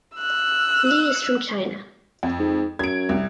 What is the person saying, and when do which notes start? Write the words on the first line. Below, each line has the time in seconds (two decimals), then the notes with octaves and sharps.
Li is from China.
0.18 E6 F#6
2.23 F2
2.40 G#2
2.79 F#2 G#6 D7
3.09 C2